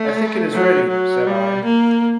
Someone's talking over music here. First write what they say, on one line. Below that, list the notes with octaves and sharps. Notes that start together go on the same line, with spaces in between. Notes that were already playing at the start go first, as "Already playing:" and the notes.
"I think it is ready," said I.
Already playing: A3
F#3
F#3
G3
A#3